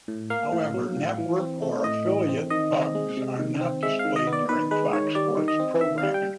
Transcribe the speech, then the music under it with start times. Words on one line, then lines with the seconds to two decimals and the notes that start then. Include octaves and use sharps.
However, network or affiliate bugs are not displayed during Fox Sports programming.
0.08 A2
0.30 A#3 F5
0.52 A2
0.74 F#3
0.96 A2
1.18 E3
1.40 C4
1.62 A3
1.84 A2 D#5
2.07 E3
2.29 C4
2.50 D#3 D#5
2.72 C4
2.95 G#3
3.17 C3
3.39 D#3
3.61 C4
3.83 G#3 E5
3.99 F5
4.05 D#3
4.16 D#5
4.27 B3
4.33 D5
4.49 D#3 B4
4.71 G#3 B4
4.93 D#3 C#5
5.15 G3 D5
5.37 D#3
5.48 D#5
5.60 C4
5.81 D#3 E5
5.98 F5
6.03 G3
6.14 G5